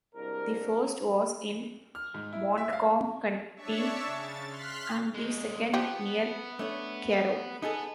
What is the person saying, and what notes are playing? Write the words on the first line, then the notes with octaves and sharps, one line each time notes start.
The first was in Montcalm County and the second near Caro.
C2 G#2 D4 A#4
F6
G#2
E4
E5
F5
D4 C#5 E5 A5 C#6
C#3 A6
C6 F6 F#6 B6
D#2 G#3
F3 B3 G4
A3 D4 C#5
B3 D#4 G#4 A4